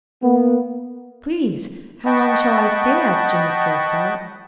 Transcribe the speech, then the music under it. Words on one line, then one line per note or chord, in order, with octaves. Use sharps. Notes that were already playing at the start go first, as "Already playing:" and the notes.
"Please, how long shall I stay?" asked Jimmy Scarecrow.
A#3 B3
D#5 F#5 G5 A5 B5 C#6